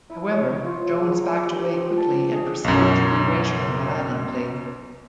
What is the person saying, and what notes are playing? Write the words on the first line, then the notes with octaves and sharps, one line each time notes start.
However, Jones backed away quickly and proceeded to berate her violently.
E4
C#5
F4
G#4
A#5
G4
F3
A5
G#4
B1 F#2